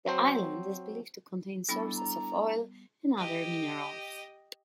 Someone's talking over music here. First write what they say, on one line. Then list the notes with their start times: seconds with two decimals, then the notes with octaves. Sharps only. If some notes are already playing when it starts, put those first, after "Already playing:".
The island is believed to contain sources of oil and other minerals.
0.06 F#3 C4 C5
1.69 G3 B3 D4 E4 A4 B5
1.97 A#5
3.18 G4 D#5